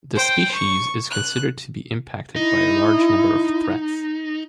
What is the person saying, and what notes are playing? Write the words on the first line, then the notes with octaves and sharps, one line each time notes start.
The species is considered to be impacted by a large number of threats.
C5 G5
C#6
F#6
D#4 E4